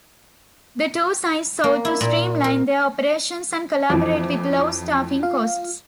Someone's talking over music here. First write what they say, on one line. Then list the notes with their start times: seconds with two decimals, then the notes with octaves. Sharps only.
The two sites sought to streamline their operations and collaborate with low staffing costs.
1.64 A#3
1.85 E4
2.01 A#2
2.44 A#4
3.90 F2 E3 F3 D6
5.23 F4 F5